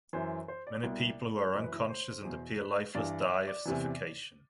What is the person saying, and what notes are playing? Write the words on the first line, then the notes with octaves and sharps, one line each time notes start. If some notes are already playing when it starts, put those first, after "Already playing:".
Many people who are unconscious and appear lifeless die of suffocation.
F#2 E3 C5
C5
D5
C2 B2
F#2 E3 C5
B4
E4
C5
E2 B2
B4
G2 E3 D5
E5
D5
E2 C3 E3